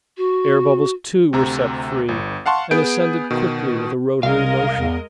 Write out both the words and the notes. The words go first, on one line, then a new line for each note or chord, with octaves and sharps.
Air-bubbles, too, were set free, and ascended quickly with a rotary motion.
F#4
D2 C3 A#5
G1
F5 F#5 A5 C6 C#6
B3 G#4 G6 D7
B2 D#3
C2 G#3 A#4 D#5 F5
E2